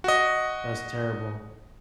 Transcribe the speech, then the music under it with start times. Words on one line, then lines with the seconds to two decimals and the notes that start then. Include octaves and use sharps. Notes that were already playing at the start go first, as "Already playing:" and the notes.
it was terrible.
0.04 F#4 D#5